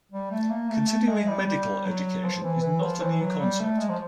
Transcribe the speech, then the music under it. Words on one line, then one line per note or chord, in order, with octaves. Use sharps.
Continuing medical education is not a new concept.
G3
A3
A#3
A3
A3
G#3
G3
G3
F#3
F3
E3
E3
F3
E3
F#3
G3
A3
G#3
F3